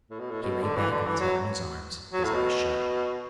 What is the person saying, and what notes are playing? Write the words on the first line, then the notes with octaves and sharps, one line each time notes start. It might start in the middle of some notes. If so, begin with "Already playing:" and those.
He lay back with his head on his arms, his eyes shut.
A2
B2
A2
B2
D3
E3
D3
E3
F#3
F#3
A2
B2